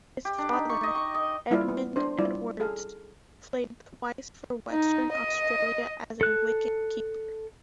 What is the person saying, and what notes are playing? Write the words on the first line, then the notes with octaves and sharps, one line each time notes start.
His father, Edmund Edwards, played twice for Western Australia as a wicket-keeper.
G4
D4
D#4
C#6
D#5
C#6
D#5
G3 A#3 E4 F4 D5 F5
B3
D4 C5
G3 E4 F4 D5
G#4 A4 F5
D#4
D#5
A4 F#6